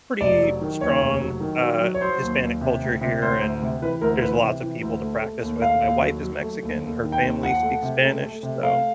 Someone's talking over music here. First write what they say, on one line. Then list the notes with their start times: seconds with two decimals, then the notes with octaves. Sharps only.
pretty strong, uh, Hispanic culture here, and there's lots of people to practice with. My wife is Mexican. Her family speaks Spanish. So
0.21 F1 D5
0.41 F#3
0.61 D#3
0.81 D#2 C#5
1.02 F1
1.21 F#3
1.41 D#3
1.62 F#3
1.82 F#3
1.94 C#5
2.01 F#3 C5
2.22 D#2
2.42 D#2
2.61 C3
2.82 D2
3.01 C3
3.22 D2 C5
3.41 D2
3.62 C3
3.82 E3 B4
4.01 D2 A#4
4.22 E3 B4
4.42 C3
4.63 E3
4.82 D2
5.02 A3
5.22 A3
5.42 D#2
5.62 A3 F5
5.82 D#2
6.02 F#3
6.23 F#3
6.43 A3
6.63 D#2
6.83 D#2
7.03 D#3
7.12 G5
7.23 D#2
7.43 F3 F#5
7.63 A3
7.83 C3
8.03 A3
8.23 A3
8.43 C3
8.63 A3 F5